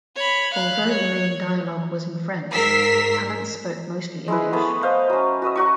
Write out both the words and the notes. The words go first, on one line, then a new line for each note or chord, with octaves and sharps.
Although the main dialogue was in French, Palance spoke mostly English.
C#5 B5
F5 F#6
C#5
G#2 A#4 E6 B6 C7
G#3 E4 B4
A3 B3 G#5 D#6
B4 C5 D#5 F5
F#3 C#4
F#4 B4 D#5 E5
F#3 F#4 C#6